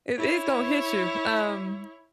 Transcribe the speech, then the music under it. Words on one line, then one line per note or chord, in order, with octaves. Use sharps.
It it's gonna hit you, um,
E4 C#5